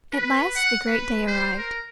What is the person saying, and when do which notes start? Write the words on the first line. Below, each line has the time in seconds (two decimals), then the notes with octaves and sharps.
At last the great day arrived.
0.13 B4
0.56 F#5
0.87 B4
1.27 C5
1.58 A#4